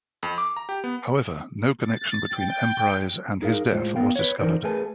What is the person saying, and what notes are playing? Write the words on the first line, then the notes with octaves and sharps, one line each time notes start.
However, no connection between Emprise and his death was discovered.
F2
D6
A#5
G4
B3
A6
G5
D#4 G#4 A#4 F5
A2 G#3 F4 C5
B3 A#4 F5 G5
B4 C#5
E3 D#4 A#4 C5 D5
A3 G#4 A#4 B4 G#5 A5